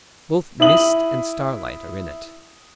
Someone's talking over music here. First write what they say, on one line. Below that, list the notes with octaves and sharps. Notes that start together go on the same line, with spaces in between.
Both mist and starlight are in it.
E4 E5 D#6 F#7